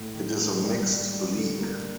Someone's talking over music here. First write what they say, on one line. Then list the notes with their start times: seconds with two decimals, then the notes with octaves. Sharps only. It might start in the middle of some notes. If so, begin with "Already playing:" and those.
It is a mixed league.
Already playing: A2
0.15 D#3
0.40 A#3
0.64 G3
0.88 G3
1.12 G3
1.36 D3
1.61 A#3